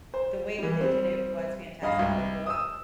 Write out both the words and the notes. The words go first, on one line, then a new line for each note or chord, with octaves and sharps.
the way that they did it was fantastic. The book
C5
E3 G3
G3 C4
G2 D#5 F5 B5
C2
D#6 E6